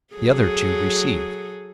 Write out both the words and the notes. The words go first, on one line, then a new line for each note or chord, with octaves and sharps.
The other two receive.
F#3 G#4 A4